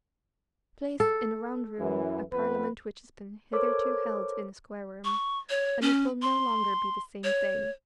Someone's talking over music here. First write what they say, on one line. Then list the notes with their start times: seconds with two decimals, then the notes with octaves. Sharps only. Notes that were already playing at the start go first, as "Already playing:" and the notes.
Place in a round room a parliament which has been hitherto held in a square room, and it will no longer be the same thing.
1.00 A4
1.78 F#2 E3
2.32 F2 B3 B4
3.53 A4 A#4 C5 C#5 D6 G#6
5.05 C#6
5.50 C#5
5.82 C#4
6.22 C6
7.24 C#5